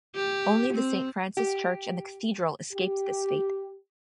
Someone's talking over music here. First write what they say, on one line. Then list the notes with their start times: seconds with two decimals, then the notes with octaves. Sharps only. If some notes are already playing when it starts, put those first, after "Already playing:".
Only the Saint Francis Church and the Cathedral escaped this fate.
0.16 G4
0.74 C4
1.37 G4
2.73 G4